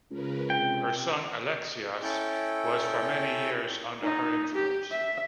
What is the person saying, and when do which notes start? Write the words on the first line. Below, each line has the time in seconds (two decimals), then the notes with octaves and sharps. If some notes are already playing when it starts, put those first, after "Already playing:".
Her son Alexios was for many years under her influence.
0.11 C#2 C#3 A#4 B4
0.50 C3 G5
2.03 C#4 E4 A4 G5
4.03 D#4
4.55 G4
4.91 E5